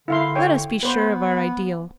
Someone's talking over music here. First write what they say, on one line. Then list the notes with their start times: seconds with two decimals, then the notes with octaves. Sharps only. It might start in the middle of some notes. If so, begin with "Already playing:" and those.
Let us be sure of our ideal.
0.08 D3 E4 F5 C6
0.35 C#5 G5
0.83 B3 B4 C5